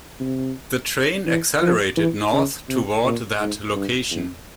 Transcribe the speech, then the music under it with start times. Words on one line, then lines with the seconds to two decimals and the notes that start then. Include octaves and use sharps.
The train accelerated north toward that location.
0.20 C3
1.27 E3
1.62 F3
1.97 E3
2.33 C#3
2.69 C3
3.05 A#2
3.40 G#2
3.75 G2
4.11 E2